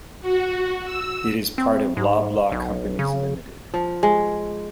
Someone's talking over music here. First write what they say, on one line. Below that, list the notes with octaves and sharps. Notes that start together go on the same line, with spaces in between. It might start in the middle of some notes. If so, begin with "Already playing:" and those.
It is part of Loblaw Companies Limited.
F#4
E6
C4
G#2
B1
C#3
F3
G#3